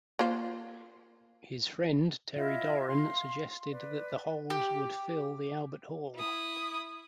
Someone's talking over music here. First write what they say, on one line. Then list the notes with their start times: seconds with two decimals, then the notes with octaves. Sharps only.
His friend Terry Doran suggested that the holes would "fill" the Albert Hall.
0.19 A#3 F4 C5
2.36 E4 F4 D#5 E5
2.88 F5 C6
3.70 B4 D5
4.50 G4
6.16 E4 D#6